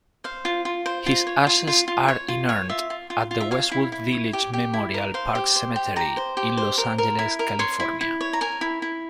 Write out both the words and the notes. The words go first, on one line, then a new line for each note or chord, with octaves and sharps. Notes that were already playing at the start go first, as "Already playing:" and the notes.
His ashes are inurned at Westwood Village Memorial Park Cemetery in Los Angeles, California.
C5 F5
F4
F4
C5
F4
C#5
F4
F4
F4
C#5
F4
C#5
F4 E5
F4
F4
F4
E5
C#5 F5
E4
E4
C#5
G4
G4
E4
A#4
C5 F5
G4
C5
G4
G4 A#5
C5
G4
C5
A#4
A#4
E4
A#4
C#5 C6
E4
E4
C#5
A#5
A#4 G#5
E4
E4